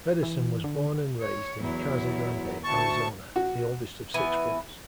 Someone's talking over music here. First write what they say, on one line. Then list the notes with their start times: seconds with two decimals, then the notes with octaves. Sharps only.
Pederson was born and raised in Casa Grande, Arizona, the oldest of six brothers.
0.23 E3
0.64 D3
1.22 C#5
1.60 E2 F#3 E4
2.64 D2 A5 C#6
3.36 F#4
4.14 E3 B3 G#5